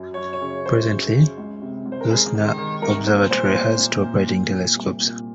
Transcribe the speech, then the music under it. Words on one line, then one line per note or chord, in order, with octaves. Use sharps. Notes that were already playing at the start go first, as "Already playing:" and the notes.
Presently, Leuschner Observatory has two operating telescopes.
Already playing: F#2
F#2 C#5
C#5
C#3
F#2 C5
C#3
C#3
C#2
C3
C#2
C5
A#4
C#2 G#4
D#3
D#3
C2 A#4
A#2 C5
A#2 C5
A#2 C5
A#2
A#2
A#2
A#2
C2
A#2